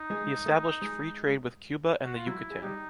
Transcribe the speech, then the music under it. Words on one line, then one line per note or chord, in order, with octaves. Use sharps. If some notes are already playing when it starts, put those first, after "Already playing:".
He established free trade with Cuba and the Yucatán.
Already playing: D#4
G#3 G#4
A3 A4
G#3 G#4
F#4
F4
F#3 E4 F#4
G#4
G3 D#4 G4